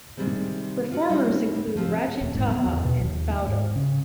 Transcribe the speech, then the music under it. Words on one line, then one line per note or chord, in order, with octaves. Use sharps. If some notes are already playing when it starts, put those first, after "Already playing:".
Performers include Rachid Taha and Faudel.
C3 D#3 G3 G#3 C4
F4 F#4
G3 C4 C#4 D#4 F#4
F3 C4 G4
D#1
G#2
B3
E2
B2
D#2
G#2
C#3